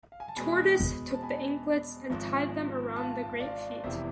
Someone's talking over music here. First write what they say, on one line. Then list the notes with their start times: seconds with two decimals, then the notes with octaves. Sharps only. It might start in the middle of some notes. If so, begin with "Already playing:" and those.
Tortoise took the anklets and tied them around the great feet.
0.12 F5
0.20 G#5
0.28 A5
0.36 E2 B2 G#3 G#5 B5
1.14 A5
1.23 G#5 B5
2.10 G#1 G#2 F3
2.96 F5 A5
3.40 D5 F5
3.83 F1 E2 C3 E3 C5 E5